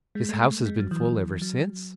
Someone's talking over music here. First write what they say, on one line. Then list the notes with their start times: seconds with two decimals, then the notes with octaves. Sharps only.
His house has been full ever since.
0.15 G#3
0.29 A3
0.66 G#3
0.79 F#3
0.91 E3
1.04 E3
1.42 F#3